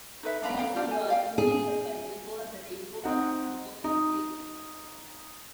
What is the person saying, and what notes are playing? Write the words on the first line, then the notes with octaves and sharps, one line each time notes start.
They also burned Union supplies and tore up the railroad tracks before retreating.
D#4 A4 B4 E5
D4 F5 A#5 B5
A4 F5 G5 A#5
D4 F4 G4 D5
A4 G#5
D5 F5 G5
G#4
C4 D#4 F#5
D#4